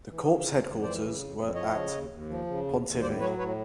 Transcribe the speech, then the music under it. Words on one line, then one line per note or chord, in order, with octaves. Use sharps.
The corps headquarters were at Pontivy.
E3
C#3
F2
F2
E3 C5 D5
C#3
F2
F2
F3 C#5 D#5
C#3
D#2
D#2
F3
C#3
D#2
D#2
A2 C5 D5
F#3 B4 C#5
A2 B4 C#5